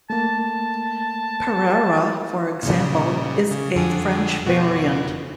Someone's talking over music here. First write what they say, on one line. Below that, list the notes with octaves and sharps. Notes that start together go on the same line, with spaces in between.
"Pereire", for example, is a French variant.
A3 A#3 A5
A#2 C#3 G3
C#3
F2 D3 G#4
F2 B2 F#4